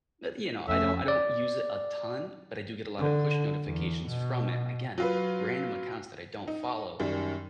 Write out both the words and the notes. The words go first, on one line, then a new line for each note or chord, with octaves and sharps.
But, you know, I don't I don't use it a ton, but I do get a lotta push notifications from it. Again, random accounts that I don't follow,
F2 A3 C#4 E5
D5
D3
E2
B2
F#3 F4 B4
D#4
F#2 D#3 G3